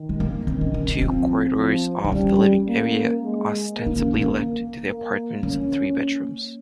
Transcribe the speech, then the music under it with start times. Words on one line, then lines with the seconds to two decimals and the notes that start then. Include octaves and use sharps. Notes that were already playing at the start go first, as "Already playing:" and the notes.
Two corridors off the living area ostensibly led to the apartment's three bedrooms.
Already playing: D#3
0.09 G#3
0.20 A#3
0.47 D#3 C4
0.61 C#4
0.74 C#4
0.88 C#4
1.02 F3 C4
1.58 F3
2.05 D#4
2.12 G3 C#4
2.68 A#3
3.22 G#3
3.78 A#3
3.86 D#4
3.96 C#4
4.14 C#4
4.87 A#3
5.42 A#3 C#4